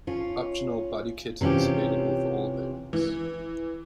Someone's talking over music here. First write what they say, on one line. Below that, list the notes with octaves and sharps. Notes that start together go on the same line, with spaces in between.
Optional body kit is available for all variants.
C#4 F4
C3 E3 C#4 F4 G4
E3